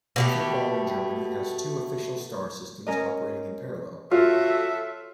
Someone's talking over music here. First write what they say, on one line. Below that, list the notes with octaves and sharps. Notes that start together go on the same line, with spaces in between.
Football in Germany has two official star systems operating in parallel.
B2 A3 G4
C#4 A#4 D#5
F4 F#4 A4 C#5 E5